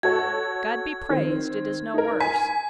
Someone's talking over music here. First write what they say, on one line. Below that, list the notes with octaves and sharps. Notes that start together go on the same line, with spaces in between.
'God be praised it is no worse!
F#4 A4 C#5 G#6
D#3 C4
D#4 A#4
G#5 B6